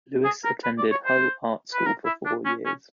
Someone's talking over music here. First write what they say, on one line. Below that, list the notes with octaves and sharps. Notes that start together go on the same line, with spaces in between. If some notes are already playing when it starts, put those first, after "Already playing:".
Lewis attended Hull Art School for four years.
G#4
A#4
B4
D5
C#5
C5
B4
A#4
E4
D4
C#4
C#4